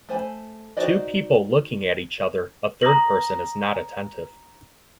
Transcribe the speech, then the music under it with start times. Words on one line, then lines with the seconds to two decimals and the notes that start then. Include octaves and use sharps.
Two people looking at each other, a third person is not attentive.
0.09 A3 C5 G#5 B5
0.77 D#4 F#4 C5 D5 D#5
2.81 A#5 D#6 A#6 F#7